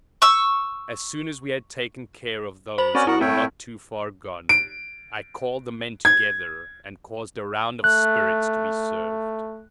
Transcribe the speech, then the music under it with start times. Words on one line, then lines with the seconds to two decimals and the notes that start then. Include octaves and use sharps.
As soon as we had taken care of those who were not too far gone, I called the men together and caused a round of spirits to be served.
0.22 C#6 E6
2.78 C5 B5 F#7
2.95 C4 C#4 F#4 D5
3.07 E4 F#4 A#4
3.21 A2 C4 C#5 E5 G5
4.49 D7
6.05 G#6
7.84 A3 F#6